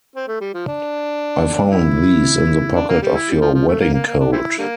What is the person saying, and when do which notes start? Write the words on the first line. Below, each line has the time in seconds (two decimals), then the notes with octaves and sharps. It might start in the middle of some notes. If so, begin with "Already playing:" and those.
I found these in the pocket of your wedding-coat.
0.16 C4
0.28 A3
0.41 G3
0.54 F3
0.67 D4
1.72 E4
2.75 D4
2.89 A#3
3.02 G3
3.15 E4
3.28 G3
3.41 F3
3.54 F3
3.68 A3
3.80 A#3
3.93 A#3
4.07 A#3
4.20 D4
4.33 G3 C4 E4
4.58 D3 G3 A#3